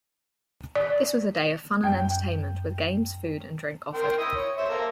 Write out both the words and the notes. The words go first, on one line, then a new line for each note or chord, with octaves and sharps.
This was a day of fun and entertainment with games, food and drink offered.
D5
F#2 G5
A#4 G5 C6
E4 D#5
C#5
C5 E5
A#3 A4 A#5